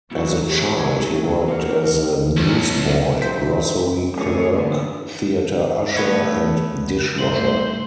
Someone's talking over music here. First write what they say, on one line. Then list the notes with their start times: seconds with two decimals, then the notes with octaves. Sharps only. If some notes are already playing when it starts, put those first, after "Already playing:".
As a child, he worked as a newsboy, grocery clerk, theater usher, and dishwasher.
0.11 F#3 A3 B3 C#4 E4 F#4
0.49 E2 C#4 G4 G#4 C#5
1.48 A#3 F#4 A#4
2.37 B1
3.22 F2 D#3 E3 F#3 C5 B6
4.13 D2 A3 D4 G#4 C#5
4.53 D3 E3 A#3 B3
5.96 A3 B3 C#5
7.18 G2 A3 C5 F#7